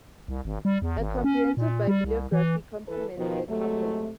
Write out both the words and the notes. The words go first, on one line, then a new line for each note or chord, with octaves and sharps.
A comprehensive bibliography complements the corpus.
C2
G#1
G3
E2
G#1
C#4
A#2
G3
C2
E3
E3 A4 B4
B2 D#3 F3
C3 F#3 G#3 A3